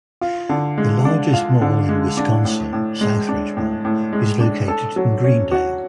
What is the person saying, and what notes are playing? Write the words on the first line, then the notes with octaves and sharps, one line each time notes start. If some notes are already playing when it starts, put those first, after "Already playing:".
The largest mall in Wisconsin, Southridge Mall, is located in Greendale.
F4
D3
G#3
D4
F4
D3
G#3
D4
A2
A2
G#3
D4
A2
A2
G#3
D4
A4
F#3
C#4
F#4